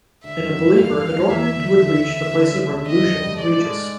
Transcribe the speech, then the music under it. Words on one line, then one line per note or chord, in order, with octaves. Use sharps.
In a believer adornment would reach the places where ablution reaches.
D2 D3 E5
F2 F3
F#2 F#3
G#2 G#3
G2 G3 F5
E2 E3
D#2 D#3
D#2 D#3
E2 E3 E5
D2 D3
C#3
D2 D3
D2 D3
C#2 C#3
D2 D3
D#2 D#3 D#5
F2 F3
G2 G3
A3
G#2 G#3 D5
A3
G#2 G#3